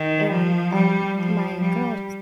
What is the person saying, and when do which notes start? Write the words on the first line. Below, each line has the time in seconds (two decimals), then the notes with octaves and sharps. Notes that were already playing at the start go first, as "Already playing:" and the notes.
and, um, my girl
Already playing: D#3
0.28 F3
0.72 G3
1.16 F3
1.60 G3